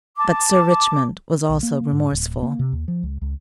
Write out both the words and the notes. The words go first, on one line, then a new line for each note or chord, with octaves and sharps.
But Sir Richmond was also remorseful.
A5 D6
B1
A#3
G#2
D1
A#3
C3
D#2
F3
C#2
C#2